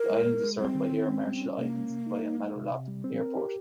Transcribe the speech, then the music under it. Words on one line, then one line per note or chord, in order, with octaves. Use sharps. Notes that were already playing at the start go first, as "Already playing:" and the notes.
The island is served by Air Marshall Islands via Maloelap Airport.
Already playing: A#4
G#3
G#3
G#3
G3 C4
D#3
D#3
C#4
G3
C#4
C3 A#3
C#4
C3
D#4
D#4
D#4
C3
C3
G3
C4
A#4
G4